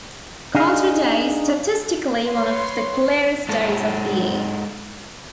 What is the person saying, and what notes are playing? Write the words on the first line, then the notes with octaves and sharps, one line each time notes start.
Culture Day is statistically one of the clearest days of the year.
D4 D#4 G#4 F5
B4 C#5 C6
G#2 A4